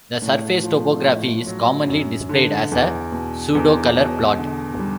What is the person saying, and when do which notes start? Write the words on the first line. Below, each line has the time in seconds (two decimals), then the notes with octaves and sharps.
The surface topography is commonly displayed as a pseudocolor plot.
0.22 A2
0.63 F3
1.05 A2
1.47 F#3
1.88 F#2
2.29 D3
2.72 E2
3.12 B2
3.55 E2
3.96 B2
4.38 D3
4.79 G3